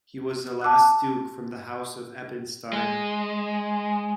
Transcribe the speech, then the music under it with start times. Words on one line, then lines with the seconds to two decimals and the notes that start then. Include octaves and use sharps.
He was the last duke from the House of Eppenstein.
0.61 A5 D6 E6 F#6
2.73 G#3